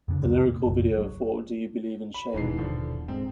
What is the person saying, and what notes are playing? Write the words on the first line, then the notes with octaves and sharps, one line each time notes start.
The lyrical video for Do You Believe In Shame?
F2 C#3 B3 D4
F1 C2 F2 D3
A#2
F#1 B1
F#3
B5
D#1 G#2 B2 E3 C7
D3 F3
G#2 C4